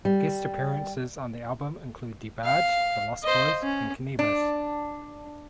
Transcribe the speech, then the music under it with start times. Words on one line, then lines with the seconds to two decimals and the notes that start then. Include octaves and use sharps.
Guest appearances on the album included DeBarge, the Lost Boyz and Canibus.
0.05 G3
2.44 F5
3.23 C5 D#5
3.62 C#4
4.19 D4